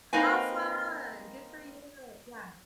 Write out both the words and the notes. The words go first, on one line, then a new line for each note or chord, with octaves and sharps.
Oh, fun! Good for you. Yeah.
A#3 C4 D#4 B4 G#5